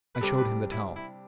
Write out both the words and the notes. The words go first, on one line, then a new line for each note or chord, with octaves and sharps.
I showed him the towel.
B4
C3 G3 D4 A4
B4
E4
E4